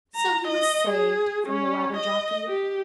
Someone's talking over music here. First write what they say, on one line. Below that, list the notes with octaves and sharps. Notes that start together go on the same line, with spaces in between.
So he was saved from the Wabberjocky.
A#5
D#5
G#4
C#4
D#5
G4